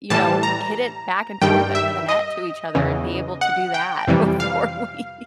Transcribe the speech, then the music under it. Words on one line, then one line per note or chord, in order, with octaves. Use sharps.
you know, hit it back and forth over the net to each other and be able to do that before we"
A2 E3 G3 A5
A#5
G2 D#3 G3 G5
E5
D#5
E2 C#3 E3
F#5
G5
F2 C3 E3 G3
F5